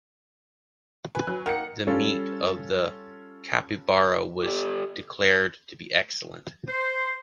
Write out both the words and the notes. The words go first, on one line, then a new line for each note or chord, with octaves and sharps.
The meat of the capybara was declared to be excellent.
B4 G#5
F#3
D#3 A#3 F#5 C#7
G3 C#4 F4 A4
G4 A4 D5
C5